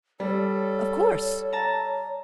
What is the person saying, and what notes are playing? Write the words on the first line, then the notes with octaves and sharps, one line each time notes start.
"Of course."
G3 A4 C#5
A5 A#5